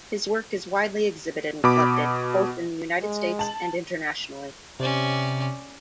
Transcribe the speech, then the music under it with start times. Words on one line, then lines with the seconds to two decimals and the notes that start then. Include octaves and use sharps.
His work is widely exhibited and collected both in the United States and internationally.
1.64 B2 B5 D6
3.02 G#3
3.39 A5 F#7
4.80 C3 C#4 D5